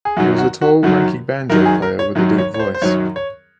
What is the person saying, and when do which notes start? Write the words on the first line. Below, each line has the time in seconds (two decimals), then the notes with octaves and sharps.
He was a tall, lanky banjo player with a deep voice.
0.05 G#4
0.17 F#2 D#3 F#3 F#4
0.38 F#4
0.61 F#4
0.83 F#2 D#3 F#3 F#4
1.50 F#2 D#3 F#3 A#4
1.65 G#4
1.82 A#4
1.99 C#5
2.15 F#2 D#3 F#3
2.38 C#5
2.54 C#5
2.59 C5
2.74 C5
2.82 F#2 D#3 F#3 C#5
3.16 C#5